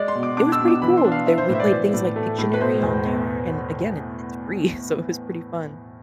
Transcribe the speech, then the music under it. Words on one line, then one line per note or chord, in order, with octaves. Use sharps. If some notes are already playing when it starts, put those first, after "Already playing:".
it was pretty cool. They we played things like Pictionary on there. And, again, it's it's free, so it was pretty fun.
Already playing: G#3 D5
C6
B2
D6
D4 D6
E6
B2
D6
E3 B5
C6
D4
F5
B3 E5
C5
A2
E5
D5
E3
A2
A3
A2
B4
B2 C5
E2
B3